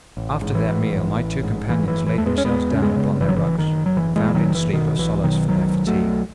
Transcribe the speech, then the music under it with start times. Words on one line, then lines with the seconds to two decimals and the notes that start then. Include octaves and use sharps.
After their meal my two companions laid themselves down upon their rugs, and found in sleep a solace for their fatigue.
0.17 A1
0.42 G#2
0.55 E3
0.67 G#2
0.92 A1
1.17 A1
1.43 G#2
1.68 F#1 E3
1.88 E3
1.94 F#1
2.07 E3
2.18 E2 A3
2.26 G#3 B3
2.38 C#4
2.44 E2 G#3 B3
2.71 C#3 C#4
2.82 G#3 B3
2.96 C#3
3.20 F#1 E3
3.29 F#3
3.36 E3
3.47 F#1
3.58 D#3
3.71 F#1
3.86 F#3
3.97 F#1 E3
4.16 E3 G#3
4.22 F#1
4.34 D#3 F#3
4.48 F#1
4.55 E3
4.73 B2 D#3
4.98 B1 E3
5.23 B2 D#3 F#3
5.49 B1 D#3 F#3
5.75 B1
5.87 F#3 A3
6.00 B1